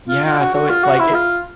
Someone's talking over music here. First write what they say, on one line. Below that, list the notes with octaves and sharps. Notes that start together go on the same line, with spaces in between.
Yeah, so, it like, it
F4
F4
F#4
F#4
F4
F#4
E4
F4